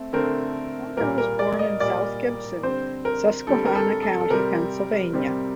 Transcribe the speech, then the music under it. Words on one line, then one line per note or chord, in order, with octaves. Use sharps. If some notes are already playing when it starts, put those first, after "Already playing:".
Walker was born in South Gibson, Susquehanna County, Pennsylvania.
Already playing: A3 C4
D3 A3 C4 A#4
A#2 G3 A#3 A#4
A#4
D5
D#5
A#2 G3 A#3 D5
D3 G3 C4 C5
A#4
D3 G3 C4 A4
A#4
A4
A4
A4
C3 G3 C4 A#4
C3 G3 C4